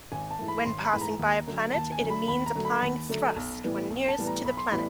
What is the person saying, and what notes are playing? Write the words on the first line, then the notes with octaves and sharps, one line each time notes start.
When passing by a planet it means applying thrust when nearest to the planet.
G#1 G#5
A5
G#2 E3 A3
B5
G#1 C6
B5
G#2 E3 A3
A#5
D#2
D3 F#3 A3
D#2 A5
G#5
D3 F#3 A3
B5
D#2 B5
A#5
D3 F#3 A3
B5
D#2
D3 F#3 A3
B1
A2 E3 G3 B3
B1
A5
A2 E3 G3 B3
A#5
B1 B5
C6
A2 E3 G3 B3 B5